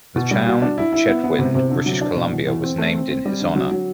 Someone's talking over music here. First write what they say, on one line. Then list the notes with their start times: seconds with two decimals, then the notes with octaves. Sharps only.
The town of Chetwynd, British Columbia was named in his honor.
0.16 B2
0.31 G3
0.46 F#4
0.62 D4
0.78 E4
0.93 E4
1.08 B3
1.24 B3
1.39 C3
1.55 C3
1.70 D3
1.86 F#3
2.01 D4
2.17 B2
2.32 E2
2.47 E2
2.63 C4
2.78 A3
2.94 C4
3.10 C4
3.26 G3
3.40 D3
3.56 F#3
3.72 F#3